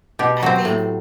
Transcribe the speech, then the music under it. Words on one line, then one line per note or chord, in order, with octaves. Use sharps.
I think
B2 G4
F#3 C4
A2